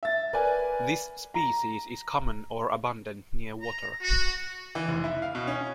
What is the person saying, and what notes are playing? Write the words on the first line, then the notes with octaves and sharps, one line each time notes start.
This species is common or abundant near water.
E5 A6
A#4 B4 D5 G#5
A#5
A#5
F#4
E3
F1
E4
F5
B2
C#4